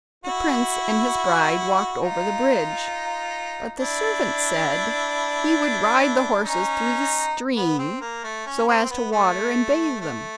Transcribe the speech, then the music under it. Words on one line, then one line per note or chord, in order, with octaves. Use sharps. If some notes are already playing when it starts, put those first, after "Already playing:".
The prince and his bride walked over the bridge, but the servant said he would ride the horses through the stream so as to water and bathe them.
E4 F#4
D#4 F4
D4 E4
C#4 D#4
B3
C4
A#3
A3
C#4
C4
C4
B3
A3
A3